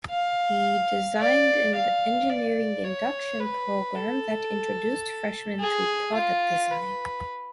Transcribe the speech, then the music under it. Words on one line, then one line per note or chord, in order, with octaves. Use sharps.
He design an engineering induction program that introduced freshmen to product design.
F5
D5
F5
D5
C#5
B4
A4
G#4
F4
B4